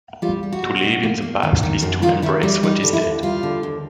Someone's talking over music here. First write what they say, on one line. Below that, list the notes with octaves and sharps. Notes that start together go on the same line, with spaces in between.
To live in the past is to embrace what is dead.
G3 F4
G3
F#4
B2
B2
A#3
A#3
D#3
D#3
F#2
D#3 F4
D#3 E4
G3 E4
G3 D#4
D3
E4
D#2
G3 F4
D3
D#2